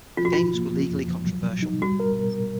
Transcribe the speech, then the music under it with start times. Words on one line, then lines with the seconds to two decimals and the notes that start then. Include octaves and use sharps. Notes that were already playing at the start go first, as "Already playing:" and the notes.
The games were legally controversial.
0.17 F3 F4
0.25 F#4
0.33 F3 F4
0.55 A#3
0.72 F3
0.91 F2
1.08 F3
1.27 F#3
1.45 F#3
1.63 D#4
1.81 G3 F#4
2.00 A#4